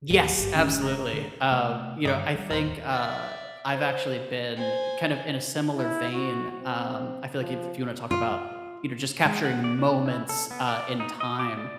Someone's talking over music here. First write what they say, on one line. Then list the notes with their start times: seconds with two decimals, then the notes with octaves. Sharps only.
Yes, absolutely, um, you know, I think, uh, I've actually been kind of in a similar vein, um, I feel like if you wanna talk about, you know, just capturing moments, uh, in time,
0.10 D#2 A2
0.38 G#1 G2 G4
0.55 F1 G#2 D3 C#4
0.82 A#5
1.13 D3
1.52 C3 A3
2.05 G2 D3 D#3 D#4 D5
2.35 F#3 G3
2.50 D1 D#2 A#4 C5
2.91 D5 E5
3.72 C5
4.56 C5 G#5
5.77 E4
6.13 F#4
6.60 C4
7.40 F3
8.11 F4
9.26 G#3
9.45 F#5
9.64 D5
9.79 D4
10.06 E4
10.29 A4
10.51 B3
10.68 D5
11.00 D#4
11.20 D#5
11.39 D6
11.57 D5